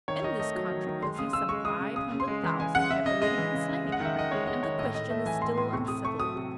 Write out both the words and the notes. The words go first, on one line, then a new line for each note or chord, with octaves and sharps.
In this controversy some five hundred thousand have already been slain, and the question is still unsettled.
D#3 C#5
D#3 D#5
A3 D#5
F#3
D#3
D#3
G#3 C6
C#3 D#6
C#3 E6
G#3 C#6
G#3 D#6
C#3
C#3 D#6
C#3
C6
G#3
E3
C#3 G#5
C#3 F#5
C#3 E5
C#3 D#5
G#3 D#5
E3
C#3
C#3
G#3
F#5
D#3 E5
D#3 D#5
G#3 C#5
G#3 D#5
D#3 C#5
A2 D#5
A2 D#5
A3 E5
E3 G#5
A2 C6
A2 C6
C3 C#6
C3 D#6
A3 C#6
F#3 D#6
C3